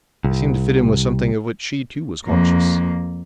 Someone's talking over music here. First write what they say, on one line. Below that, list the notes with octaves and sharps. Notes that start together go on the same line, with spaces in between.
They seemed to fit in with something of which she too was conscious.
C2
F2 A#3